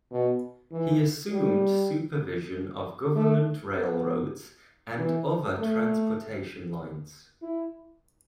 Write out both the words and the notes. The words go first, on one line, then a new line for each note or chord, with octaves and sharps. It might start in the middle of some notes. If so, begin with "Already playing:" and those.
He assumed supervision of government railroads and other transportation lines.
B2
E3
G3
A3
B3
E3
A3
E4